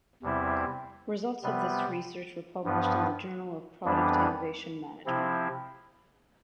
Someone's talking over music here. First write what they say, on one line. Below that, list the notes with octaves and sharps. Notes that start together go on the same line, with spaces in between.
Results of this research were published in the Journal of Product Innovation Management.
E2 C3 G3 C4 E4
C3 G3 B3
G2 F3 B3
F2 E3 G3 B3 D4
C3 F3 C4 E4